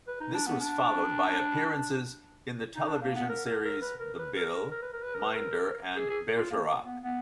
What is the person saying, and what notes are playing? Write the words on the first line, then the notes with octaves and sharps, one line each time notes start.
This was followed by appearances in the television series "The Bill", "Minder" and "Bergerac".
B4
D#4
D4
B3
D4
D#4
D4
A#3
B3
A#4
A#4
A#4
B4
A#4
B4
A#4
A#4
A#4
B4
A#4
B4
A#4
B4
A#4
G#4
G#4
F4
A#3
B3
B3